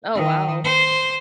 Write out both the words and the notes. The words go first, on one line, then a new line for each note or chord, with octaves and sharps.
Oh, wow.
D#3
C5